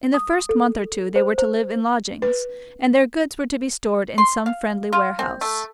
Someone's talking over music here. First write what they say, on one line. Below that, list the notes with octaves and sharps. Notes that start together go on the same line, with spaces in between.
In the first month or two they were to live in lodgings, and their goods were to be stored in some friendly warehouse.
D#6
A4
C5
C5
B4
C6
F5
F4
C4
A3